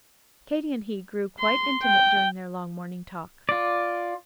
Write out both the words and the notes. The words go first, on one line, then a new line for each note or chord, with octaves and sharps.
Katy and he grew quite intimate during their long morning talk.
C6
G5
F4 D5